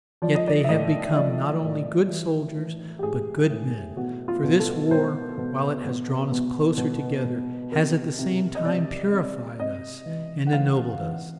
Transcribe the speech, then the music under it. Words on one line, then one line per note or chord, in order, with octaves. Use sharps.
Yet they have become not only good soldiers, but good men, for this war, while it has drawn us closer together, has at the same time purified us and ennobled us.
F3 D5
D#5
D5
E5
A2 D#5
D#5
F3 D5
A2
E3
E3
G4
A2 G#4
A2
B2 F#4
F4
B2
A4
B2 C5
B2
B2
B2
B2
B2
C3 A#4
C3
D#5
C3 D5
C3
C3 D#5
E3
F#5
E3 F5
E3